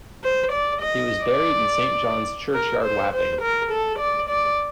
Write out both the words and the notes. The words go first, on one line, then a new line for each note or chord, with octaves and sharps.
He was buried in Saint John's Churchyard Wapping.
C5
D5
D#5
D5
A#4
C5
C5
A#4
A4
D5
D5